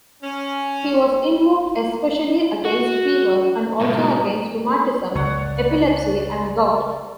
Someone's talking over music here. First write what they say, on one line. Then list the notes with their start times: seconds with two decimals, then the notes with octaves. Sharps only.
He was invoked especially against fever, and also against rheumatism, epilepsy, and gout.
0.22 C#4
2.65 F#4
3.81 G#2 B2
5.15 C#2 C#3 C#5 D5 F#5